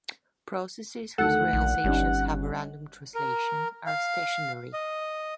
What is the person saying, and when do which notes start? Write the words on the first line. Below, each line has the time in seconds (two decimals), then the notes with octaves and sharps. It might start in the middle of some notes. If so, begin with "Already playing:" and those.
Processes whose realizations have a random translation are stationary.
1.18 D2 D#3 A4 F#5
1.53 A#1
1.84 G1 G3 C#4 D#4
3.15 A#4
3.87 F5
4.73 D#5